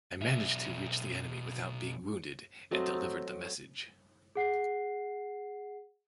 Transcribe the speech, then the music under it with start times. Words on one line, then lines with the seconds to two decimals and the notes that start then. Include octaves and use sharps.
I managed to reach the enemy without being wounded and delivered the message.
0.22 B1 E5
2.71 F#3 A3 C4 D#5
4.35 G#4 F#5 C7